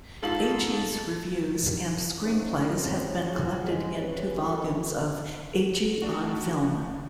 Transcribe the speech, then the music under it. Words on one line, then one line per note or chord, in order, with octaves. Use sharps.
Agee's reviews and screenplays have been collected in two volumes of "Agee on Film".
G#2 F4 A4 F#7
G#2 D3 A3 C#4 D#4
G#3 C4 C#4
E3 D4 F#4 G#4 C#5
G#3
C3 G3 C#4 B4
D#3 G3 C#4 E4 F#4 A4
A3 D4 F#4